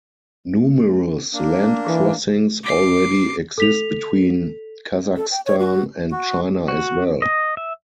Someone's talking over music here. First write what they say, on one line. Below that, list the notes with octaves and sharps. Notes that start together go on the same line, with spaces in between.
Numerous land crossings already exist between Kazakhstan and China as well.
A#3 D4
E3
D6 C7
A4 B6 F7
A4
G5
C#5
F#4
F#4
F#4
D#5
E5